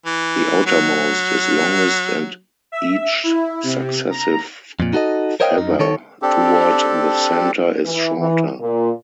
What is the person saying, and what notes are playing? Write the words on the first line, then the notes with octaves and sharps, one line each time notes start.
The outermost is longest and each successive feather toward the center is shorter.
E3
F#3
E5
E4
C3
A#5
F2 A#2
D#4 F#4 A4 D#5
A#4 C5 C#5 D#5 F5 G5
F#2 D#4
D#3 A4 C#5
C4 D4 G4 A4
E3
E3
A#2